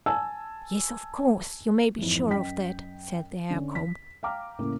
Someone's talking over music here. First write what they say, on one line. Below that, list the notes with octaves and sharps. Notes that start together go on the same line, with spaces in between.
"Yes, of course! you may be sure of that," said the hair-comb.
G#5 A5 E6
F2 G#2 E3
F#2 D#5 G5 B6
D3 C#4
B6
F5 G5 A#5 D6 F6
A2 C#3 A#3